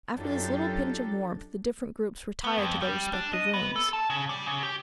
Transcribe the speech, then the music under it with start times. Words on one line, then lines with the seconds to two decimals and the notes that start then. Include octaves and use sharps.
After this little pinch of warmth the different groups retired to their respective rooms.
0.15 F#2 D4 D#4 F4 G4 A4
2.44 B3
2.58 F2
2.82 G3
3.13 D4
3.33 D#5
3.54 B3
3.76 A4
3.93 A5
4.10 C#3
4.29 G3
4.46 C#3
4.63 G4